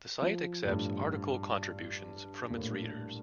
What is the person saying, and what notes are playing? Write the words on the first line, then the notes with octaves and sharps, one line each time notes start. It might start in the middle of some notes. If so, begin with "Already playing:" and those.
The site accepts article contributions from its readers.
F3
A2
G2
A#2
A2